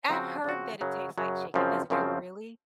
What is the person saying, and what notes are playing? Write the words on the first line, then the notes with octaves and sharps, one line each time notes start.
I heard that it tastes like chicken; doesn't it really?
C#3 F3 C4 F#4
C#3 F3 C4 F#4
F#2 C#3 F#3
F#2 C#3 F#3
F#2 C#3 F3 C4
F#2 C#3 F3 C4